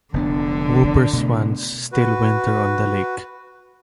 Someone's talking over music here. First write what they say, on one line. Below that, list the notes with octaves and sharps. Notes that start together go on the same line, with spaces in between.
Whooper swans still winter on the lake.
F1 D3 B3 D4
B2 A3
F#4 B4